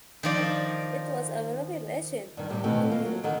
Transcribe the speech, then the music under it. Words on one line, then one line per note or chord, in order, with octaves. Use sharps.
It was a revelation to me.
D#3 F3 D5
G2 D#3
A2 C3 G3
B2 D#3 E3 A3 C4
A#3 F4
F#3
D3 D#3 A4 F#5